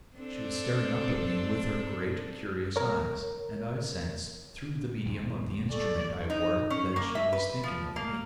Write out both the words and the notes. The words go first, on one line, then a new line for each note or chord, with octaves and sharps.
She was staring up at me with her great, curious eyes, and I sensed, through the medium of the instrument I wore, that she was thinking of me.
C4 D4 A4
A#4 C#5
D#1 C2
G2 B3 A4 D5 C#6
D#4
C#4
A#3
E5
B4
F3
A#3